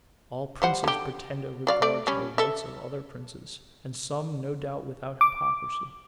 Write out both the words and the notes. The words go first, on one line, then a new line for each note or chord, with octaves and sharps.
All princes pretend a regard to the rights of other princes; and some, no doubt, without hypocrisy.
G3 C5 F#5
D3 G4
F#3 D5 F5
A3 D5
G3 C#4
A4 E5
D6